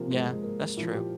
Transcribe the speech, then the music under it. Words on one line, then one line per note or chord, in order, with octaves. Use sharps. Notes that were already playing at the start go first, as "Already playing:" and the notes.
Yeah, that's true
Already playing: C3 F3 A#3
G#3
G#3
A#3
A#2 F3 E4
G4